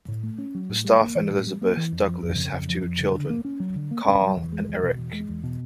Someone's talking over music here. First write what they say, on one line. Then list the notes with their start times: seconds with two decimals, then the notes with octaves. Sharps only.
Gustaf and Elisabeth Douglas have two children, Carl and Eric.
0.08 A2
0.23 A3
0.38 C#4
0.55 F#3
0.69 A2
0.85 G3
1.00 A#3
1.15 E3
1.30 A2
1.47 G3
1.62 A#3
1.77 E3
1.92 F2
2.08 F3
2.23 F2
2.37 C#3
2.53 F2
2.69 F3
2.83 F2
2.99 C#3
3.15 D3
3.30 A#3
3.45 C#4
3.60 F#3
3.76 D3
3.91 A#3
4.06 C#4
4.22 F#3
4.37 E2
4.52 G#3
4.68 E2
4.83 B2
4.98 E2
5.13 G#3
5.29 E2
5.44 B2